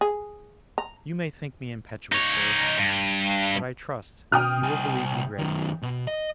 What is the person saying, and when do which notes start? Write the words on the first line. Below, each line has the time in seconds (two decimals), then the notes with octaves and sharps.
"You may think me impetuous, sir, but I trust you will believe me grateful."
0.01 G#4
0.78 A#5
2.13 D#4 C#5
2.78 G2
4.32 B2 G5 D#6 F6
4.63 C2 G#5
5.38 F#2 D#3
5.82 B2
6.07 D#5